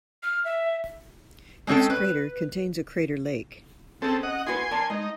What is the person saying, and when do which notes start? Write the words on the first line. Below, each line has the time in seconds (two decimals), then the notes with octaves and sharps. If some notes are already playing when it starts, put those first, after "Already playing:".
Its crater contains a crater lake.
0.23 F6
0.45 E5
1.67 G#3 C4 C#4 A4 G5
1.90 B4
4.02 C4 C#4 G#4 A4
4.23 D#5 F#5
4.47 E4 F#4 B4 G#5 C6
4.71 A#4 D5 A5
4.90 G#3 D#4